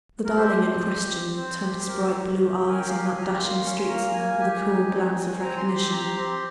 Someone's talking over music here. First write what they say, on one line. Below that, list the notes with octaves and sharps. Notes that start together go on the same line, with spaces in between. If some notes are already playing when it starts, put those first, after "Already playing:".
The darling in question turned his bright blue eyes on that dashing street-singer with a cool glance of recognition.
A#4
G4 C5
C4
G4
C4
C4 C5
G4
C4 A#4
G4
G4
C#4
G#5
G5
G4 F5
G#5
G4
A#5
A#5
A#3 C6
C#4 C#6
C6
A#3 A#5
A#3 G#5
G4 G#5
D#4
C4
C4
C4 A#5
C6
G4
C6
G4 A#5
C4 C6